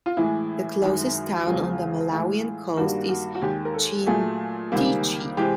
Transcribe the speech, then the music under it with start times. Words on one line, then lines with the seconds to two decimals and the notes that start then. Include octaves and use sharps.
The closest town on the Malawian coast is Chintheche.
0.06 F4
0.17 A2 E3 G#3 E4
0.81 F#2 D#3 G#3
1.46 E2 C#3 F3 G#3 F4
2.12 A2 E3 G#3
2.77 G2 D#3 G3 A#3 F#4
3.09 F#4
3.35 F#4
3.42 D#2 D#3 G#3 G4
3.65 A#4
3.74 A4
4.06 A#2 F#3 A3 G#4
4.72 C#2 C3 D#3 G3 A#3
5.37 C3 E3 G#3 G4